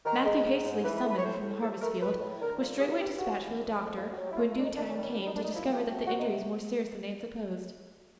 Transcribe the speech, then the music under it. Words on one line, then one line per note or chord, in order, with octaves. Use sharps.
Matthew, hastily summoned from the harvest field, was straightway dispatched for the doctor, who in due time came, to discover that the injury was more serious than they had supposed.
D#3 A#4
G#3
G#2
G#2
E3 B4
B4
A3
B4
C#5
A2 C5
A2
F3 A4
A3 A#4
A2 B4
A2
D3 A#4
F3
G2 G#4
G2 G4
C#3 F#4
E3
F2
F2
D3 F4
F#4
F#3
G4
E4
A3 F4
F4
F2 D4
D#4
D#3 D4
C#4
G3
C#4
F#2 D4
D#4
F#2 D4
D#4
F3 E4
A3 G4
C3 F#4
F#4
C3
D#4